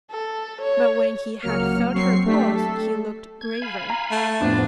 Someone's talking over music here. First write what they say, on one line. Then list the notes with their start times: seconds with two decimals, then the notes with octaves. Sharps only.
But when he had felt her pulse he looked graver.
0.11 A4
0.61 C#5
1.41 C#2 F#3 A#3 F6 C#7
1.94 F#3 C4 C#6 C7
2.25 A3 D4 G4 B6
2.52 A4
3.41 G#6
3.62 F5 G#5 B5
3.90 A#5
4.11 A3
4.41 F2 A2 F3 B3 D4